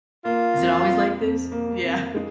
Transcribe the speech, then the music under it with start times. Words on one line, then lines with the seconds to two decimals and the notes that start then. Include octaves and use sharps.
Is it always like this? Yeah.
0.25 A#3 F4
0.57 F2
0.88 F2
1.20 F2
1.52 A#3
1.83 F2
2.14 G#3